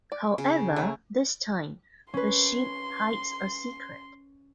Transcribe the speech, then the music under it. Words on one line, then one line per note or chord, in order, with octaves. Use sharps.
However, this time, the ship hides a secret...
D5
C#3
F#3 A3 B5
C#4 B4 C6